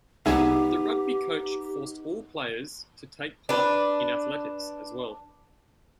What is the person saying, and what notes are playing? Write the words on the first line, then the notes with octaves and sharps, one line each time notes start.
The rugby coach forced all players to take part in athletics as well.
C2 B3 D#4 G4 G#4 E5
D4 B4